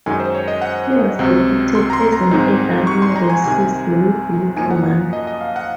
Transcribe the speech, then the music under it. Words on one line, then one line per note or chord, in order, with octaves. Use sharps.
He was depicted as an elderly racist with little money.
F#2 D#3 G#3 D#4 G#5
C5
C#5
D#5
F#5
C#2 C3 F#3 C4
C6
A#5
C6
A#5
G#2 D#3 G#3 C4 D#4
C#6
C6
A#5
G#5
C2 C3 D#3 G#5
F#2 F3 A#3 D#4 G#5
F#5
D#5
D#5
F5
F#5